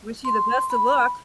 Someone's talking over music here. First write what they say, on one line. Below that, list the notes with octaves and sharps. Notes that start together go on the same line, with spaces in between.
wish you the best of luck.
C6
B5